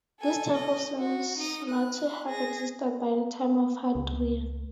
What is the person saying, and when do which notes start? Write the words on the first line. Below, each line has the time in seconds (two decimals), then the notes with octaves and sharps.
This temple seems not to have existed by the time of Hadrian.
0.20 A4 G#5
0.55 D#5
0.98 F#4
1.38 D#4 D#6
1.70 F#6
2.26 G#4 A#6
3.95 C#2